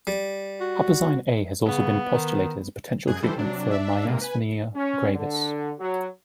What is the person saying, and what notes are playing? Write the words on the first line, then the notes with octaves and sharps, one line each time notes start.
Huperzine A has also been postulated as a potential treatment for myasthenia gravis.
G3
F#4
C#3 B3
D#3
F#2 G#4 F#6 G#6
E3 G3 E4 A4 C5
C3 F#3 D4
D4 E5
G#2 C3 A#3
B4 G#5
C#4
D3
F#3